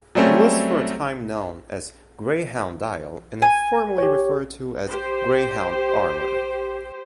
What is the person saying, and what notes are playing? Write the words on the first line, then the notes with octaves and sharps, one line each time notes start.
It was for a time known as Greyhound-Dial, and informally referred to as Greyhound-Armour.
F#3 G3 A3 C4 C#4
G#5
G4 C#5
G4 C5